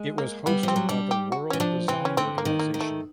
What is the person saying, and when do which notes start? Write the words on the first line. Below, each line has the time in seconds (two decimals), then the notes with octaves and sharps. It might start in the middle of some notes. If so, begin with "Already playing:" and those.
It was hosted by the World Design Organization.
Already playing: G#3
0.18 A#3
0.46 G3 B3
0.63 F3 C4
0.76 F#3
0.89 G3 D4
1.11 G4
1.32 F#4
1.50 E3 C#4
1.60 F3 D4
1.88 E3 C4
2.05 C#4
2.17 D3 C4
2.38 A#3
2.45 D#3
2.59 A#3
2.74 D#3
2.81 A3